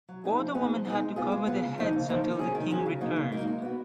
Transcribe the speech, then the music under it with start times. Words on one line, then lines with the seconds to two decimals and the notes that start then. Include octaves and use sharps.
All the women had to cover their heads until the king returned.
0.09 F#3
0.24 B3 D#4 G#4
0.39 F3
0.55 B3 D#4 G#4
0.70 F3
0.85 B3 D#4 G#4
1.01 G#3
1.16 B3 F4 G#4
1.32 G#3
1.47 B3 F4 G#4
1.62 C#3
1.78 F3 A#3 D#4
1.93 C#3
2.08 F3 A#3 D#4
2.24 D#3
2.39 F#3 C#4 G#4
2.55 D#3
2.71 F#3 C#4 G#4
2.86 C#3
3.01 F#3 A#3 D#4
3.16 C#3
3.32 F#3 A#3 D#4
3.47 G#3
3.62 B3 F#4